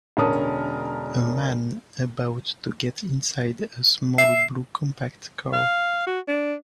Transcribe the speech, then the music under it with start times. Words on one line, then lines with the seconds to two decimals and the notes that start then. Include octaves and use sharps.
A man about to get inside a small blue compact car.
0.17 E1 D3 C#4 A#4 A5 D#6
4.18 E5 C7
5.53 F5
6.07 F#4
6.28 D4